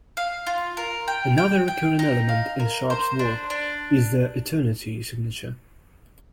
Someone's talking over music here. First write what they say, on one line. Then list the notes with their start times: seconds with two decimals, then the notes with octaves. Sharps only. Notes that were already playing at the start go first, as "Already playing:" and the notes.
Another recurring element in Sharp's work is the "Eternity" signature.
0.17 F5
0.47 F4
0.77 A#4
1.08 G5
1.38 G5
1.68 G5
1.99 D#4
2.29 F5
2.60 A#4
2.90 C5
3.19 D4
3.50 D4